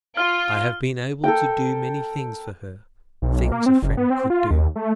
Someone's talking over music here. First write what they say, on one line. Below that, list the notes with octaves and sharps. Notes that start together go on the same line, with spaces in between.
I have been able to do many things for her; things a friend could do.
F4 F6
A4 A#4 G5
B1
A#3
C4
F#1
B3
C4
F4
D#2
A3